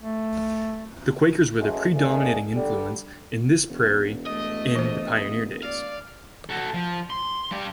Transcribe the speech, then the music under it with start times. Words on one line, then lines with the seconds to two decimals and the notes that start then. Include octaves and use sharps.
The Quakers were the predominating influence in this prairie in the pioneer days.
0.01 A3
1.58 A1 F#2 A2 G#3 A3
1.93 C#2 G#2 A3 A#3 D4 G#4
2.54 D3 G3
3.69 E1
4.26 A3 D#5
4.76 E3 C5
5.63 D5 F5
6.49 F#4 A4
6.74 F3
7.10 C6
7.51 G2 G4